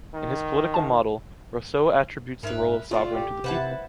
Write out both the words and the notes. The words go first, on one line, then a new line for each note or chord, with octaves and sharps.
In his political model, Rousseau attributes the role of sovereign to the people.
D#3
A5
G#2 G#3 A#4 B4 E5
C3 A3 F4 D5
G4
C3 E4 B4 C5 F#5 A5